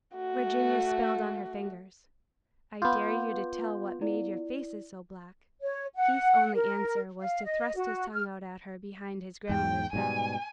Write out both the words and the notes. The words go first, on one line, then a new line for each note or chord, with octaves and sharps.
Virginia spelled on her fingers: "I dare you to tell what made your faces so black!" Keith's only answer was to thrust his tongue out at her behind his grandmother's back.
A3 F#4
B3 F4 C6 D6 G6
E4 D5
C#5
F#5
A#4
F5
D#5
F#4
F6
E2 G#2 G5
G#2 B2 G3 G#5